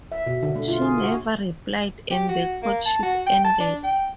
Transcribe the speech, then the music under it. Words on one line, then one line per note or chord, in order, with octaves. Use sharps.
She never replied and the courtship ended.
E5
B2
D3
A3
F4
G#4
F#4
G4
F#4
A#3
A5
F#4
G5
A5
D4
G5